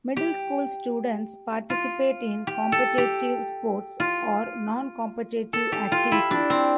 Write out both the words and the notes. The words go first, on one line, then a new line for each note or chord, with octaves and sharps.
Middle School students participate in competitive sports or non-competitive activities.
G4
F4
G4
A4
G4
F4
A4
G4
F4
E4
D4
C4